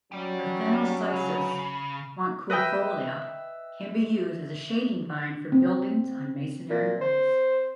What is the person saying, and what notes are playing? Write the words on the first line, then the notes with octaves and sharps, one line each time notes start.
"Parthenocissus quinquefolia" can be used as a shading vine for buildings on masonry walls.
F#3 C#4 G4 D5
C#3
B4 D#5 E5 G5
C4
A#2
C5